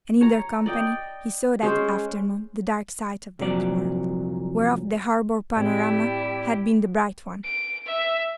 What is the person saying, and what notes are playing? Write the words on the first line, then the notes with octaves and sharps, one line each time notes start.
And in their company he saw that afternoon the dark side of that world, whereof the harbour-panorama had been the bright one.
C#5 A#5
D5 D#5 G5
G#3 C#4 C5
C2 F2 A#2 F#3 D5
A2 G3 C4 E4 G4
D7
E5